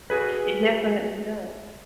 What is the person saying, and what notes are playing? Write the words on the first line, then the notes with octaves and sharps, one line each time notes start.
it definitely does.
F#4 G#4 B4